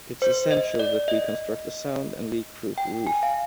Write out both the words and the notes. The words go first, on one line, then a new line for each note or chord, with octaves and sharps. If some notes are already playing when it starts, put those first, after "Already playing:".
It's essential that we construct a sound and leakproof roof.
C5
D#5
D5
D#5
G5
G#5
F5